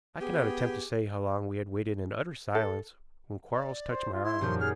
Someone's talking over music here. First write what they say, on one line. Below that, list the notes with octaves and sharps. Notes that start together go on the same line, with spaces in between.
I cannot attempt to say how long we had waited in utter silence when Quarles touched my arm.
B3 G4 G#4
A4
D5
C5
F4
E4 C6
D#1 F#2 F3 G6
G#4 F6